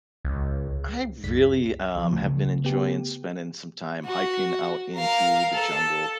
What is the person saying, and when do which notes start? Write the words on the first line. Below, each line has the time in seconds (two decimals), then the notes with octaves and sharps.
I really, um, have been enjoying spending some time hiking out into the jungle.
0.25 C#2
1.24 C2 F#2 B6
1.96 C#2 F3
2.13 C#3 A3
2.64 B3 G4
4.06 F#4
4.96 A#4 F5
5.53 A4